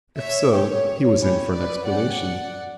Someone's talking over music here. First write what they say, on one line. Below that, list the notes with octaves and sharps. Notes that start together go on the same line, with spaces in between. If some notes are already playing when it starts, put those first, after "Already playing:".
If so, he was in for an explanation.
C#5 E5
C#4 G4 C#5
C#4 E4 G4 C#5
B4 D5
C#4 G4 D5 F#5